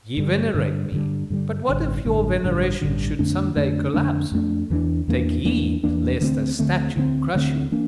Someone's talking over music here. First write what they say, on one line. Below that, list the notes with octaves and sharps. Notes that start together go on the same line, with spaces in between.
Ye venerate me; but what if your veneration should some day collapse? Take heed lest a statue crush you!
G2 D3 G3
G2 D3 G3
G2 D3 G3
G2 D3 G3
A1 G2 D3
A1 G2 D3
A1 G2 D3
A1 G2 D3
F2 D3 A3 D4
F2 D3 A3 D4
F2 D3 A3 D4
F2 D3 A3 D4
E2 E3 A#3 D4
E2 E3 A#3 D4
E2 E3 A#3 D4
E2 E3 A#3 D4
D2 D3 A3 C4
D2 D3 A3 C4
D2 D3 A3 C4
D2 D3 A3 C4
E3 A#3 D4